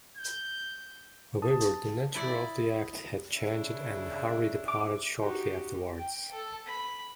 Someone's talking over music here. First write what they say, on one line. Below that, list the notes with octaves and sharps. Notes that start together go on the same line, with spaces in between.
However, the nature of the act had changed and Harvey departed shortly afterwards.
G6
A5 D#6
E4 D5
C#3 D4 E4
D6
D#4 F#4 G4
G5
A4
B5